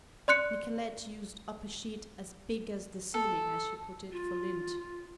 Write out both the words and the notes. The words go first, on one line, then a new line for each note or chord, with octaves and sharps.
Nicolette used up a sheet "as big as the ceiling," as she put it, for lint.
D5 C6 F#6 C#7
A4
F4